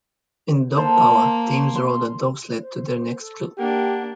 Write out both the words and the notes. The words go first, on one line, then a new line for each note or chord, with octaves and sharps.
In Dog Power, teams rode a dog sled to their next clue.
A#3 A4 C5
C6
C5
A4
A#3 D4 G4 F#5